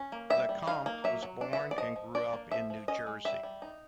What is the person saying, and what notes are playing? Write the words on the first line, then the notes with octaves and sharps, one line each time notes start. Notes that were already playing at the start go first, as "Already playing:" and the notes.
LeCompte was born and grew up in New Jersey.
Already playing: C#4
A#3
G3 E5
G3
D#4 F5
A#3
F#3 E5
F#3
D4
E5
B3
D5
F3 D#5
F3
D4 D5
A#3
F3 E5
F3
C#4 D#5
G#3
G3 E5
G3
D#4